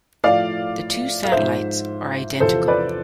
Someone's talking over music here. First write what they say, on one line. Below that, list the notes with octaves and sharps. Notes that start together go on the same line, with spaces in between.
The two satellites are identical.
A2 F3 D5 F5
F5
G#2 F3 C5 E5
E2 C3 F3 A4 C5
B4 D5